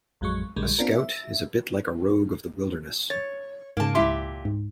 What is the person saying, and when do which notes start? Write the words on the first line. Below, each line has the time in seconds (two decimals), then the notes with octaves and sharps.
A scout is a bit like a rogue of the wilderness.
0.21 A1 F2 F#3 G#3 C#6
0.56 A#1 D3 G3 G#3
0.79 B3 C4 D4 F4 A#4
0.96 E5
3.10 C#5 A6
3.77 G#2 C#3 A#3 A5
3.95 C#2 A#2 E4 G4 E5 C6
4.45 G#2